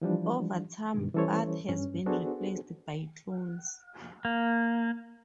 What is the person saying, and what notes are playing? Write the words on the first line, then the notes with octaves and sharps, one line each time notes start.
Over time, Bud has been replaced by clones.
E3 F3 G3 D4
G2 B2 D#3
E3 G3 C#4 A4 C5 C#5
G2 C#4
B3 D4 F#4 G#4 A4 C5
A#3